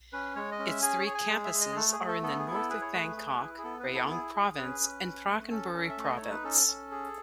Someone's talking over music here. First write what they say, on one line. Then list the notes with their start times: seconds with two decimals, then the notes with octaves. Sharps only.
Its three campuses are in the North of Bangkok, Rayong province and Prachinburi province.
0.13 C#4 B4
0.36 G#3 C#5
0.52 D#5
0.59 C#4
0.67 E5
0.82 G#4 G#5
0.99 C#5
1.06 G#4
1.15 G#5
1.29 G#3
1.45 E5
1.53 G#3
1.61 D#5
1.72 G#4
1.76 A3 A4
1.93 G#4
2.00 A3
2.08 A4
2.23 B3 A4
2.39 G#4
2.47 E4
2.54 A4
2.70 G#4 B4
2.81 C#5
2.93 A3 B4
3.17 G#4
3.40 E4
3.58 G#4
3.64 B3 A4
3.80 B4
3.87 E4
3.95 A4
4.10 G#4
4.34 G#4
4.57 C#4 B4
4.80 C#4
5.04 C#4
5.27 A3
5.50 C#4 A4
5.74 C#4
5.90 E5
5.98 A3
6.04 D#5
6.17 D#4 C#5
6.30 B4
6.44 C#4 A4
6.67 C#4
6.91 G#4